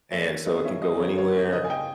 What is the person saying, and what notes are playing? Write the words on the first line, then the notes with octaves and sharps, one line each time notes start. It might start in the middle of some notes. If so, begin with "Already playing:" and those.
And so, it can go anywhere
A#3 C#5 E5
D#3
E2 D#5
C#4 C#5 E5
G2 D#5
G1 C#5
G1 C#5
G2
C#3 D#5
G#5
D#5 G5